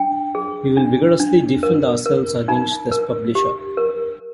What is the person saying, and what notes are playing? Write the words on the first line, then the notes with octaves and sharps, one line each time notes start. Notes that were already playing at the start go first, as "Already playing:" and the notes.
We will vigorously defend ourselves against this publisher.
Already playing: D4 G5
G#4
D4
D4
A#4
A#4
D#4 A#5
A#4
G4
A#4